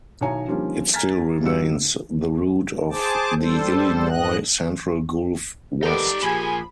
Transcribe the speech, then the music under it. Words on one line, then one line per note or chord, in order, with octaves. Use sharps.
It still remains the route of the Illinois Central Gulf West.
B1 D#3 E4 C#5 G#5 A#5
D3 D#3 F3 G3 A#3 C#4
G#5 A#5 F6 G#6 A6 B6
G1 G3 D#4 F#4 E6 C#7
G#4 C5 A5 D6
G3 A4 C5
G#2 B3 D#5 F#6
D#3 B3 D#4 G4 A4 D5
A#2 F3 G#4 A#4 G#5 B5